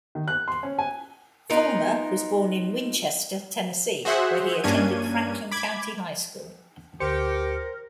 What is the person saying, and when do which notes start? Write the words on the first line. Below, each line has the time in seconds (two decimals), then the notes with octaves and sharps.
Fulmer was born in Winchester, Tennessee, where he attended Franklin County High School.
0.15 D#3
0.28 F#6
0.48 C6
0.63 C#4
0.79 G#5
1.50 B3 D#4 F4 A#4
4.05 F#4 G#4 C5 E5 F#5
4.64 G2 A#3 C#4 D4 G#6 D#7
5.51 B5 D6 G#6
7.00 D2 G4 A#4 C5 C#7